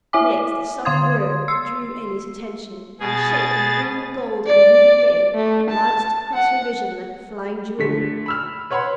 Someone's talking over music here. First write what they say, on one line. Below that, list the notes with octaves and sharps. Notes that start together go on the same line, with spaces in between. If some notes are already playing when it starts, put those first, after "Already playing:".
Next a soft whir drew Elly's attention, and a shape in green and gold and ruby-red glanced across her vision like a flying jewel.
E4 E5 G#5 D6
D3 F5 C6 D#6 G#6
C6 E6 C7
B2 G#4 A6
D5
A3
A5
F#5
D3 A3 B6
B5 E6 F6
B4 C#5 F#5 B5 C6